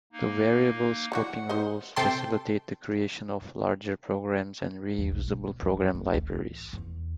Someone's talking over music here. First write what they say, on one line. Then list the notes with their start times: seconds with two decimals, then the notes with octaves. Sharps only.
The variable scoping rules facilitate the creation of larger programs and re-usable program libraries.
0.12 A#3 D#4
1.12 D3 E3 F#4 F#5
1.49 C5 D#5
1.96 C3 A4 G5 A5 C6
4.98 E2
5.12 B1
5.27 B2
5.62 F2
5.95 B3
6.14 D2
6.32 A1
6.73 E2